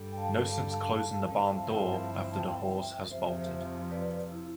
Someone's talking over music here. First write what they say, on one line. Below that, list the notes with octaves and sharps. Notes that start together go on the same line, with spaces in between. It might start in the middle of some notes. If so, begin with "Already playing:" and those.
No sense closing the barn door after the horse has bolted.
Already playing: G2 D3 G3
G5
F5 A5
F5 A5
F5 A5
G2 F3 C4 E4 F5 A5
A5
G5
F5
E5 G5
F2 C3 F3 C5 E5
B4 D5
E4